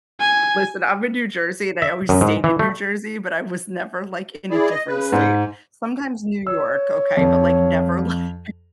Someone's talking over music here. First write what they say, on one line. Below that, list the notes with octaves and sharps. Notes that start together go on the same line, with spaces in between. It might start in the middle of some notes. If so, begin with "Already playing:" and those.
Listen, I'm in New Jersey and I always stayed in New Jersey, but I was never like in a different state. Sometimes New York, okay, but, like, never, like
G#5
E5
F#2
G#2
E3
A3
E4 G#4 D5
D#5
C#3 B4
G#2
C#5 E6
F2